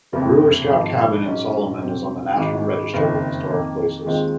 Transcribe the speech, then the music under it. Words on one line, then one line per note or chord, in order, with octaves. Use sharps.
The Brewer Scout Cabin in Solomon is on the National Register of Historic Places.
F#1 F2 C3
G#1 G#2 F3
G#2 F#3 C#4
F2 C3 F#3 C4
G#1 G#2 D#3 G#3
F#1 F2 D#3
F2 D#3 A#3
D#2 D#3 G#3 C4 F4